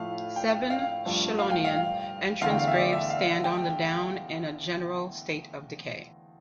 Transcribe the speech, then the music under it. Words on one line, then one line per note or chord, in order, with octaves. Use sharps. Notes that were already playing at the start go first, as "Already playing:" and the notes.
Seven Scillonian entrance graves stand on the down in a general state of decay.
Already playing: A2 F3 A3 F5
G5
F5
G2 F3 A3
F5
G5
F5
E2 D3 A3 F5
G5
F5
E5
D5
E5
F5
G5